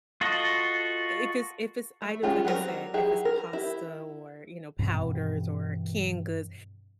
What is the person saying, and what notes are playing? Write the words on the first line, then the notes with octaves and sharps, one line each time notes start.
if it's if it's items like, I said, if it's pasta or, you know, powders, or canned goods,
F4 F#4 A4 D#5
A3
G#3 C#4 F4 G4 G#4
F#3 G3 C4 D4 A#4
F#3 E4 G4 G#4
A#4
E4 G4
G2 B2 E3 C4